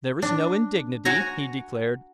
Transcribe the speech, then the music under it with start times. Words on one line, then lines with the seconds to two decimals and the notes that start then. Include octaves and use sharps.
"There is no indignity," he declared.
0.22 D4
1.05 F#4 G#5 A#5